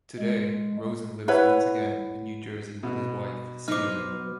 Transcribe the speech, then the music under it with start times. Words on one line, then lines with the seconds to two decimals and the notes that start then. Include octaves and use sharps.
Today, Rosen lives once again in New Jersey with his wife, Celia.
0.19 G#3
1.28 E4 B4 C#5 F#5
2.83 B2
3.68 F#3 B3 D#4 C5 D6 F6